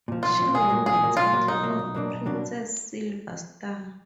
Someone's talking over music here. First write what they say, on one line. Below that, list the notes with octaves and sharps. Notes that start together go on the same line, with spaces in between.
She won the title of "Princess Silver Star".
A#2 F3
B1 F4
A#2 F3
B1 G#4
A#2 F#3 A#3
B1 G#4
A#2 F#3 A#3
B1 F4
A#2 F#3 A#3
B1 D#4
A#2 F#3 A#3
B1
B2 F#3 A#3 D4
B1
B2 F#3 A#3 D4